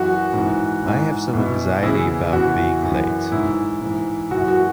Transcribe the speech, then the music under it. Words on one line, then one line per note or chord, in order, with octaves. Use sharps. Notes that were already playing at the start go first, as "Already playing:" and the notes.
I have some anxiety about being late.
Already playing: F#2 E3 F#4
G#2 E3
G#2 E3
E2 B2
E2 C#3 E3 E4 G#4
E2 C#3 E3 F#4
F#2 E3
G#2 E3 E4
G#2 E3
F#2 E3 F#4
F#4